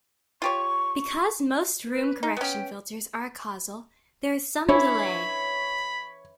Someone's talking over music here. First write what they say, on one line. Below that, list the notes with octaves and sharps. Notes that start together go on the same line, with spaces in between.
Because most room correction filters are acausal, there is some delay.
F4 G4 C#5 C#6
B4
D#4
B3 C#4 G5
E3 C#4 D4 E4 C#5 B5